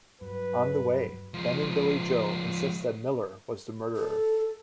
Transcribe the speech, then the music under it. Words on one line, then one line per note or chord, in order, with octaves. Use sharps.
On the way, Ben and Billy Joe insist that Miller was the murderer.
G2 F#3 B4
F3 G#3
A4